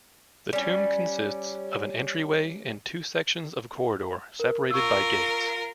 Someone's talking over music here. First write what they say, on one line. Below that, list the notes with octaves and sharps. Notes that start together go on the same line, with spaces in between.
The tomb consists of an entryway and two sections of corridor separated by gates.
G3 C#4
A#4
F4 A#4 C#6 E6